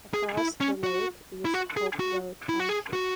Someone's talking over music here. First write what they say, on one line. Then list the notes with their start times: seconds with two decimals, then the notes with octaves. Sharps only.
Across the lake is Hopewell Township.
0.14 G#4
0.37 E4
0.60 C#4
0.83 F#4
1.45 E4
1.54 F#4
1.77 G#4
1.99 F#4
2.49 E4
2.60 F#4
2.69 G#4
2.93 F#4